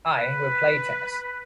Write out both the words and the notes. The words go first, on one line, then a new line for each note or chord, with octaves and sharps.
I will play tennis.
B4